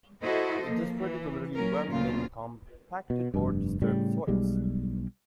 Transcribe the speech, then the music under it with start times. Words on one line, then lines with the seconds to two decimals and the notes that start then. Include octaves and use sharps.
It does particularly well in compacted or disturbed soils.
0.22 E4 F#4 A4 C5 D#5
0.63 F3 A#3
0.95 E3
1.55 F#3 A#3 C#4 A#4
1.89 D2 A#2 C#3 F4
3.10 B2
3.34 F1 G2
3.82 A2 C#3 G3
4.27 B1 G3 G#3